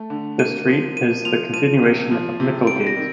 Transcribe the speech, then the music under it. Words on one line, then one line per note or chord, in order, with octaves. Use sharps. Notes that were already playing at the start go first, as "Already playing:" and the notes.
The street is the continuation of Micklegate.
Already playing: A3
D3
A#3 D#7
F3
A#3 D#7
F3 F7
F3 D#7
C3
F3
C3
G3 D7
A#6
D#3